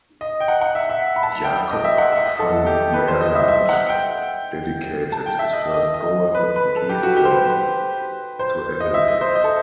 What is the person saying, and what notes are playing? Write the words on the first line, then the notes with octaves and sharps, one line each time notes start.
Jacob van Maerlant dedicated his first poem, "Geesten", to Adelaide.
D#5
G5
F#5
F#5
E5
E5
B5
A5
G5
D#5
E5
F#5
E5
D#5
A4
G4
B4
C5
D#5
E5
E5
F#5
G5
A5
G5
E5
D#5
D#5
D#5
B4
B4
A4
G4
F#4
G4
C5
B4
B4
C5
D#5
E5
D#5
C5
D#5
A4